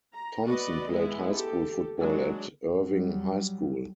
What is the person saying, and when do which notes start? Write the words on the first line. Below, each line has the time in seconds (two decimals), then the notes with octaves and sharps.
Thompson played high school football at Irving High School.
0.15 A#5
0.46 F#4 B4 D5 D#5
0.90 G#3 B3 E4
1.32 G4 A4
1.99 F#3 G#3 D4
2.75 F#3 G3